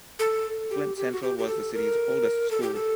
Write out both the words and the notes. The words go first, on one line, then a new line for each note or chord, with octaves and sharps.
Flint Central was the city's oldest school.
A4
G4
G4
F#4
G4
G4
A4
A#4
A4
G4
A4